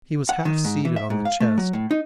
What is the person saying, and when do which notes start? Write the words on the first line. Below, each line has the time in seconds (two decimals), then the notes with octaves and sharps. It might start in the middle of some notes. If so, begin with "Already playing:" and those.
He was half seated on the chest.
0.29 F#5
0.45 D#3
0.65 G#2
0.85 E3
0.96 E5
1.10 G#2
1.25 F5
1.40 A3
1.58 F#3
1.73 A2
1.91 D#4